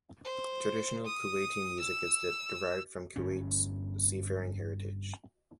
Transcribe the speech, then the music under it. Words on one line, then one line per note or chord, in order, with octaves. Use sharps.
Traditional Kuwaiti music is derived from Kuwait's seafaring heritage.
C5
D#6
E6
G1 G2 C#4